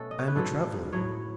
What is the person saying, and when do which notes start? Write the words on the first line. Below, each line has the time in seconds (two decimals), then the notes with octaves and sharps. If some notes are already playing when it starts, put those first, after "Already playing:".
I am a traveler!
Already playing: B2 A3 C#4 F#4 A4
0.11 D#5
0.19 C#5
0.28 B4
0.36 G#2 F#3 B3 A4
0.92 A2 F#3 B3 C#5